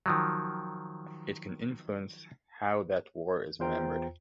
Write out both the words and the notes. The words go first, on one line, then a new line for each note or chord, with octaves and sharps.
It can influence how that war is remembered.
D#3 F3 F#3
E2 F4 C5 G5 A#5